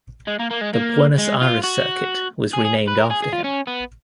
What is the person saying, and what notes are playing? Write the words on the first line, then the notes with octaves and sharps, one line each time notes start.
The Buenos Aires circuit was renamed after him.
G#3
A#3
A#3
G#3
A#3
G#3
F4
F#4
G#4
G#4
B4
A#4
G#4
G#4
F4
C#4
B3